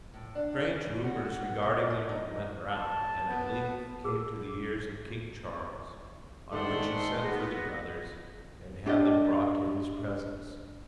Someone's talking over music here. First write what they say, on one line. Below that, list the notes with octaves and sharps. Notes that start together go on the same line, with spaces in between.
Strange rumours regarding them went round, and at length came to the ears of King Charles; on which he sent for the brothers, and had them brought to his presence.
A2
D4
G#4
C#3
F#4
F#4
B3
C3
D5
A3
D#4
A5
B3
G#4 E6
G#2 D#3 A3 A4 D5 F#5 C6
B3 G#4 A#6
D4 G4 D5 D#5